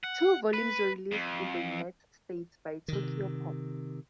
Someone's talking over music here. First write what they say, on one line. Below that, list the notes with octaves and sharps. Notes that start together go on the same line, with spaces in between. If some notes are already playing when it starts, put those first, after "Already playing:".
Two volumes were released in the United States by Tokyopop.
F#5
B4
F2
C3 D#3